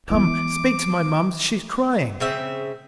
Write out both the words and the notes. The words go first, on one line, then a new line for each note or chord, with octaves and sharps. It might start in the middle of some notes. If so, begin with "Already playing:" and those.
"Come ... speak to my Moms; she is crying."
E3 G#3 B3 D6
C#3 C4 E5